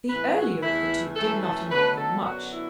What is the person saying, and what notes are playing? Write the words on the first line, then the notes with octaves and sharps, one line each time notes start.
The earlier of the two did not annoy him much.
A2 E3 B3 B4
F#4
E2 E3 A3 E4
F#2 E3 A3 A4
A4
B2 F#3 A3 B4
A4
F#2 D3 F#3 B3 F#4
E4